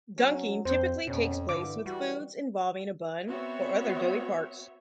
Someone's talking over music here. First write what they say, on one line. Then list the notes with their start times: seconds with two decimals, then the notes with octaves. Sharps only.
Dunking typically takes place with foods involving a bun or other doughy parts.
0.18 F#3 C#4
0.65 F2 C4 C5
1.07 F2 B2 C#4
1.49 G2 D3 E3 D6
1.86 G3 F#4
3.29 B3 C4 F#4 C#5 E5